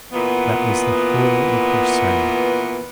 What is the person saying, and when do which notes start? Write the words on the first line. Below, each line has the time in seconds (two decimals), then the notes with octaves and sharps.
That was the whole of her sermon.
0.13 A#2 E3 B3